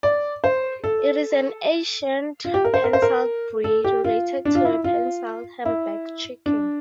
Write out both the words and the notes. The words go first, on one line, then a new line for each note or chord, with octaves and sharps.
It is an ancient pencilled breed, related to the pencilled Hamburg chicken.
D5
C5
A4
F4
G4
A#4
C5
A#4
C5
A#4
A4
G4
F4
D4
F4
E4
F4
E4
D4